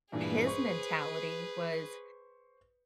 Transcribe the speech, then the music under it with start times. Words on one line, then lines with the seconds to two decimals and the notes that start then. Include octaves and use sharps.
his mentality was,
0.12 G2 A#2 E3 G#4 B4
0.47 C5 C#6